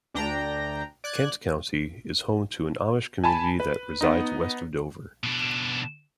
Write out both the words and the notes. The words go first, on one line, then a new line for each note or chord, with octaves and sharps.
Kent County is home to an Amish community that resides west of Dover.
D2 D4 G5 A#5
D5 F#6 G#6
G#5 A5 B5
B4
B3 D#4
B2 D4